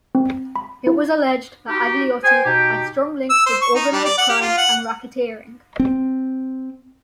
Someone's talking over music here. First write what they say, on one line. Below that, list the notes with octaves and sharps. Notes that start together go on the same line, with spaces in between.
It was alleged that Agliotti had strong links with organised crime and racketeering.
C4
B5
E4
D#4 F#4 G4
C5 G5 G#5
B2 D#4 G4
E6
C5
C#6
D#4
G3
D5
F#5
G4
F4
F#5
C4